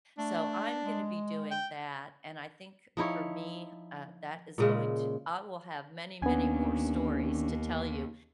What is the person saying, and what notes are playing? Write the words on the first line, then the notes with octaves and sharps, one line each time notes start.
So, I'm gonna be doing that and I think for me, uh, that is going to I will have many, many more stories to tell you.
A3 D4
G#3
G5
F3 D#4 E4 C#5
A#2 C#3 G#3
D#2 D#3 B3 C#4 D4 G#5